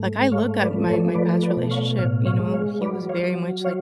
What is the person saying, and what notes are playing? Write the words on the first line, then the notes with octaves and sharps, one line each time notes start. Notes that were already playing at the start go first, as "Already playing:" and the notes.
like, I look at my, my past relationship, you know, he was very much like
Already playing: G#2 A3
A3 C#5 F5
B4 D5
F3
A4 C#5
A3 B4 D5
B4 D5
B2
C#5 F5
A2 C#5 F5
C#5 F5
G#3
C#5 F5
F#3 B4 D5
C#5 F5
F#3
C#5 F5